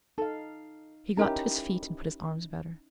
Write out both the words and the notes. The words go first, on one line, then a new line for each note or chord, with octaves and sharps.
He got to his feet and put his arms about her.
D#4 A4 F5
C#4 D#4 E4 G4 A#4 A#5